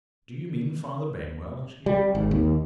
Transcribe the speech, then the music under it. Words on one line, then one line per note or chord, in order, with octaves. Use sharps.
"Do you mean Father Benwell?" she inquired.
G3
G#1
D#2